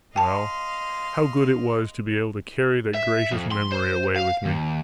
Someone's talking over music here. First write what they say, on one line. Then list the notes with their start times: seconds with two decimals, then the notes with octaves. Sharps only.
Well, how good it was to be able to carry that gracious memory away with me!
0.16 D#5 F5 G5 A5 C6
2.95 E5
3.32 F2
3.51 C6
3.72 C5
4.16 F5
4.45 D#2